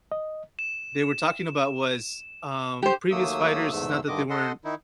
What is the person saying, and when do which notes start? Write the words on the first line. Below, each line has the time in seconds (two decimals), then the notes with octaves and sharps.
they were talking about was, um, previous fighters it's not that they weren't
0.12 D#5
0.59 E7
2.83 G4 C5
3.11 D#2 F#3 A3 A#3 D#6 E6
3.71 E2 G#2 A3 E6
4.08 G2 D3 D#3 D#5 D6
4.30 A4 D#5 F#5 C6
4.65 D#3 D#4 E4